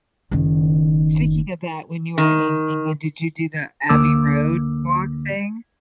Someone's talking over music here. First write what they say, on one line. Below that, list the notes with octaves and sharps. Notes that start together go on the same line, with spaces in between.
Speaking of that, when you were in England, did you do the Abbey Road walk thing?
F#1 D#3
D#3
D2 D3 A#3 D6 E6